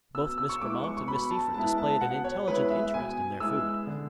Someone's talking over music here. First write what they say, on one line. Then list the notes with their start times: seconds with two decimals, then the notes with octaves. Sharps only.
Both Miss Grammont and Miss Seyffert displayed an intelligent interest in their food.
0.15 B2 E6
0.38 E6
0.49 C#6
0.61 G#3 B3 E4 D6
0.84 C#6
0.97 C#6
1.08 B2 B5
1.31 A5
1.54 G#3 B3 E4 A5
1.78 A5
2.01 B2 F#5
2.24 C#5
2.48 G#3 B3 E4 B4
2.70 E5
2.94 B2 G#5
3.40 G#3 B3 E4 E6
3.87 D3